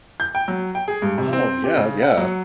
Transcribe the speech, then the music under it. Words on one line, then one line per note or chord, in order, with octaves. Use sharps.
Oh, yeah, yeah.
G6
G5
F#3
G5
G#4
G2
C3
C4
G4
C#3
F#5
F#3